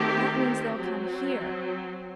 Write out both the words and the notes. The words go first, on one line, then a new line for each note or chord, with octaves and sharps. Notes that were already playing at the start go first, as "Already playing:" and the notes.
That means they'll come HERE.
Already playing: D#3 A3 C4 G4
F#3 C4